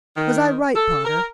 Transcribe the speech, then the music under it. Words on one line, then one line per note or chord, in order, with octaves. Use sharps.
Was I right, pater?
D#3
A4
A#4